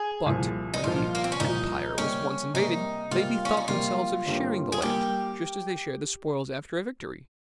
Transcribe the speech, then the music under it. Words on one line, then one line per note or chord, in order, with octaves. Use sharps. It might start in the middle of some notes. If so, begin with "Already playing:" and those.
But, when the empire was once invaded, they bethought themselves of sharing the land, just as they shared spoils after a victory.
Already playing: G#4
C2 A#2 F3
D#4
C2 A#2 F3 F4
A#3
C4
C#4
C2 A#2 F3 D#4
C3 G3 A#3 C#4
C3 G3 A#3 D#4
C3 G3 A#3 F4
C#4
D#4
C3 G3 A#3 F4
G1 G2 G3 A#3
G#4
G3 A#3 G4